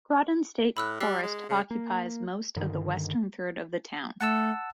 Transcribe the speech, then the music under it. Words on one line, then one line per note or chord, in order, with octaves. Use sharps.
Groton State Forest occupies most of the western third of the town.
A2 B5 E6 F#6
G3 E6 F#6 C7
G#3
C#3
A#3
G2 D3 D#3
A3 F#5 A5 E6